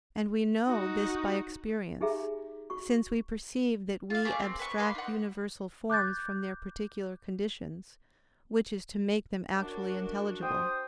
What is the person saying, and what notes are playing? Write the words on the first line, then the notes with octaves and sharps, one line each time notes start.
And we know this by experience, since we perceive that we abstract universal forms from their particular conditions, which is to make them actually intelligible.
D#4 F#4
D#4 G4 G#4 E5 A#5
F#4 C#6
F4 F5
A3 A#3 G#4
C4
B4 C#6
A#3 B4 C6
D#4 F#5
D6 F#6 G6 A6
F#2 D4 F#4
C5 G5 D#6